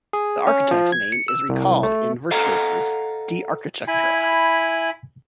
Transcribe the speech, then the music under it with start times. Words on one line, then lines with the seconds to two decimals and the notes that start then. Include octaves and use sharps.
The architect's name is recalled in Vitruvius's "De architectura".
0.13 G#4
0.47 C#4
0.71 F3
0.92 G#6
1.12 C#7
1.28 E6
1.49 C2
1.83 A3
2.31 A4 C5 D#5 F5 F#5 A#5
3.88 E4 G#5 B5